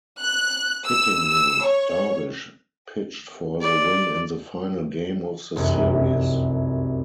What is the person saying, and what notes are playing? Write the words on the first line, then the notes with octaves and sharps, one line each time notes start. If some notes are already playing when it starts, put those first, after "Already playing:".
Fittingly, Darvish pitched for the win in the final game of the series.
F#6
E6
E6
C#5
D5
F1 C2 F#2